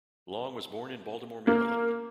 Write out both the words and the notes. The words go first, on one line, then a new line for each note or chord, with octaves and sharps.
Long was born in Baltimore, Maryland.
A#3